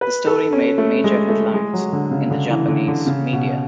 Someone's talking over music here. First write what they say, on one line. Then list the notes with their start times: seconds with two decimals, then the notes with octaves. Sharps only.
The story made major headlines in the Japanese media.
0.01 B4
0.27 A4
0.53 C#4
0.78 A3
1.04 G#3
1.29 A3
1.54 G#3
1.73 F#3
1.93 D3
2.11 C#3
2.31 D3
2.50 E3
2.68 D3
2.88 D3
3.07 C#3
3.33 B2